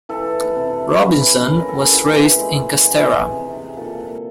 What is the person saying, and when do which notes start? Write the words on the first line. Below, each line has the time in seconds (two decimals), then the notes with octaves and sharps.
Robinson was raised in Castara.
0.09 E3 A4
0.55 C3
1.01 C#4 B4
1.47 C#4
1.57 A#4
1.68 A4
1.81 G#4
1.92 E3 G4
2.39 G#3
2.85 E3 G#4
3.31 C3
3.77 A#2 A4